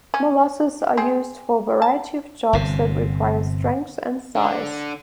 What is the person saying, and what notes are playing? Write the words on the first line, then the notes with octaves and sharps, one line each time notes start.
Molossers are used for a variety jobs that require strength and size.
C#4
C4 G#4
A5
G1 C3
D3